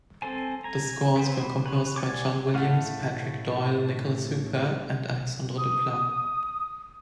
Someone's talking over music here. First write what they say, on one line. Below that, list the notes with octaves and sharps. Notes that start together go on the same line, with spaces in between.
The scores were composed by John Williams, Patrick Doyle, Nicholas Hooper, and Alexandre Desplat.
C4 A4 C5 G#5
G#5 A#5
B3 C4 B4 C5
C#4 B4
D5 F#5 G#5 D6
A2 A3 F5 F#5 D#7
D#6